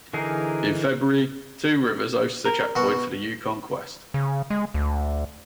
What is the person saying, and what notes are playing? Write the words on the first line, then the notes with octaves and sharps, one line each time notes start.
In February, Two Rivers hosts a checkpoint for the Yukon Quest.
D3 E3 D#4 G#4 A#4
A#4
B2 F#4
C#3
G#3
D2